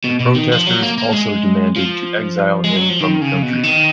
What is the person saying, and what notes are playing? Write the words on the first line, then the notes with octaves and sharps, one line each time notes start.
The protesters also demanded to exile him from the country.
B2
B2
D#3
F3
F#3
A#3
A#3
G#3
F3
G#3
F#3
F3
D#3
C#3
B2
D#3